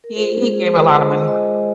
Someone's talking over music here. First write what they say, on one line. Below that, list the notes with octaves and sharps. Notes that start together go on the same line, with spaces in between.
he he gave a lotta money.
A#4
F4 G#4 C5
G#3 G#4
F4 G#4
F4 G#4 C5
F4 D#5 G#5
F4
F4 D#5 G#5
G#3